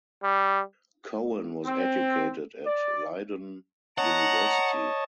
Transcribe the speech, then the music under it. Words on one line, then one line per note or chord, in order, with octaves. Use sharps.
Cohen was educated at Leiden University.
G3
C4
D5
C#5 D#5 F#5 A5 A#5